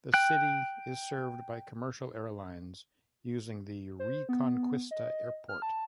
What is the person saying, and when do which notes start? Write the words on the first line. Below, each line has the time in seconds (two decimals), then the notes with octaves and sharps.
The city is served by commercial airlines using the Reconquista Airport.
0.14 G5 F#6
3.99 C5
4.29 B3
4.91 D#5
5.49 F6
5.62 A5